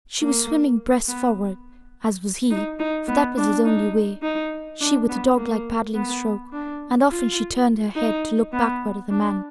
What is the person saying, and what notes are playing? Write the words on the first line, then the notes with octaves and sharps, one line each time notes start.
She was swimming breast forward, as was he--for that was his only way--she with a dog-like paddling stroke, and often she turned her head to look backward at the man.
A#3
B3
D#4
D#4
B3
D4
D#4
D#4
D4
B3
A#3
B3
D4
F4
D#4
B3
D4